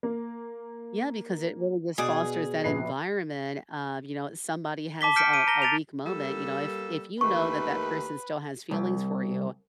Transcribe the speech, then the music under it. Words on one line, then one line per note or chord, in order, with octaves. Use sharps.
Yeah, because it really just fosters that environment of, you know, somebody has a a weak moment, you know, if if you know that that person still has feelings for you
A#3
B2 G#4 D5
A#1 B4 C7
A5 D6 B6 G7
F6 G6 B6 C#7 D7
D7 D#7
A#5 A#6 G7
A6 D7 F7
G3 A#3 A4
D#2 D#3 A3 B4 C#6
C2